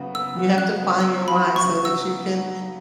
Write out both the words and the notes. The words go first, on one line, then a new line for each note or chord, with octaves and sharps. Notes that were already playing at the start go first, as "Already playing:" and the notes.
You have to find your "why" so that you can
Already playing: C#3 F#3 B3
B3 E6
F#4
C#3 F#6
B3
F#3 E6
F#3
B5
F#4
C#6
C#3
F#3 E6
B3
F#3
F#3